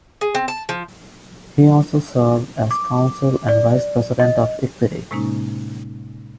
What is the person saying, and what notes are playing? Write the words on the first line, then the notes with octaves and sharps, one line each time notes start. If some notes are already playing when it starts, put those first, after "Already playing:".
He also served as council and vice-president of Equity.
G#4
C4
A5
F3
D6
D5
D#5
A2 C3 G#3 A#3 C#4 D#4